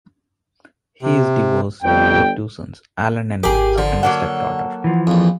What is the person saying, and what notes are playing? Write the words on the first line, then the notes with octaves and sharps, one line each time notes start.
He is divorced, with two sons: Alan and Max, and a stepdaughter.
C3
G1 F2 G5
G#1 G4 G#4 A#4 D6
D3 F3 F4
F#3 A#3 A4 F#5
E3 F3
A#1 F2